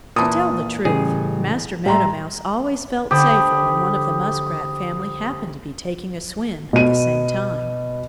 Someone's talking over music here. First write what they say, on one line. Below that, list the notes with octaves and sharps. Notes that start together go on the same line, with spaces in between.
To tell the truth, Master Meadow Mouse always felt safer when one of the Muskrat family happened to be taking a swim at the same time.
A#2 E3 A5 B5 D#6
A1 A2 C#3 G3 G#4
A2 G3 G4 E5 G5 A#5 C6
D3 G4 A4 C5 B5 D#6
B2 D#7